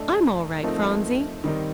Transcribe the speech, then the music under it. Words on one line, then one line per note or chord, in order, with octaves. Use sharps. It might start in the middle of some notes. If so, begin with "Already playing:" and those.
I'm all right, Phronsie.
Already playing: A3 D4 A4 D#5
F3 A3 C4 D#4 A#4
D#3 G3 C4 D#4 A#4